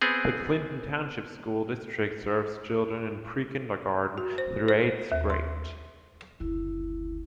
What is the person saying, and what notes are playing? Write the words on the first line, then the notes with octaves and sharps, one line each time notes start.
The Clinton Township School District serves children in pre-kindergarten through eighth grade.
B3 C4 G#4
F#4
C5
C5
D#2
C6
F#1 D2 E4